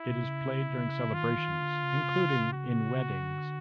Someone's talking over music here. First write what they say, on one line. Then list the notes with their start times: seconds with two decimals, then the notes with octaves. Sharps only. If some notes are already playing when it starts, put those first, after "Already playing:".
It is played during celebrations including in weddings.
Already playing: E4
0.10 C3
0.28 C#3
1.14 D#3 F4
1.37 D#3
1.60 D3
1.84 C#3
2.53 F#4
3.22 D3